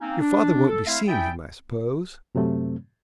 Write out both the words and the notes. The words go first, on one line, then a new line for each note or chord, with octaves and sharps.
'Your father won't be seeing him, I suppose?'
A#3 C4 C#4 D#4
D4
A4
A3 C4 E4 E5 F5
E4 G#4 D5 E5 G5
F#2 C3 F#3 A3 C4